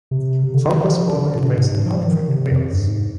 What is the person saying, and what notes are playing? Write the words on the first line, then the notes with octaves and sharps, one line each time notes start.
Volk was born and raised in Pontypridd, Wales.
C3
C3
D3
D#3
F3
D3
A#2
C3
G#2
G#2
F3
F3
D#3
C3
F2
G2
G#2